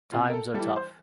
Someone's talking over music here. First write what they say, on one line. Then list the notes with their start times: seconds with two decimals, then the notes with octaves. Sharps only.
Times are tough.
0.12 C3 F4
0.29 A#4
0.33 A4
0.54 G3 A4
0.59 E3
0.76 C5